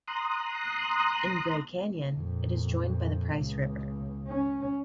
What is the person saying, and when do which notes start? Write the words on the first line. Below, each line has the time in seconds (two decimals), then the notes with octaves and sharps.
In Gray Canyon, it is joined by the Price River.
0.08 A#5 C6 D#6 F#6
2.15 F2 A#2
3.34 C#2
4.28 C#4